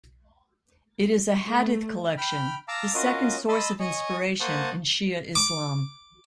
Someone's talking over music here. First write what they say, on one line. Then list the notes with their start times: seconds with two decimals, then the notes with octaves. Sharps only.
It is a hadith collection, the second source of inspiration in Shia Islam.
1.47 A3
2.18 G5 B5 F6
2.68 F5 A5 A#5 D6 E6 F6
2.94 C#4 F4 F#4 A#4 D#5
3.49 D#5 A5 B5 C6 E6
3.80 C#5 D#5 G#5 C#6
4.40 A#3 C5 F#5 A5 C#6 D#6
5.35 D6